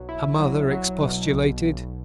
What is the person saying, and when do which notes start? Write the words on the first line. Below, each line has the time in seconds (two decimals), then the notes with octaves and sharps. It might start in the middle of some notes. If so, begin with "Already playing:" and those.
Her mother expostulated.
Already playing: B1 F#3
0.09 E4
0.40 F#3
0.71 F#3
1.02 B2
1.33 B1
1.65 B1